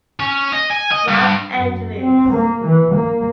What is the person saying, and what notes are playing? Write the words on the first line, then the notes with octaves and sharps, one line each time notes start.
Rob Andrews.
C#4
D#5
G#5
D#5
G2
F#2
C4
A#3
E3
A#3